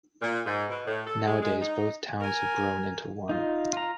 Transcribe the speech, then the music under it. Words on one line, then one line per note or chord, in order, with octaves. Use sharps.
Nowadays both towns have grown into one.
A#2
G#2
B2
A2
A4
G#3
G#3
D#4
A#4 G#5
D#4 F4
F4 A#5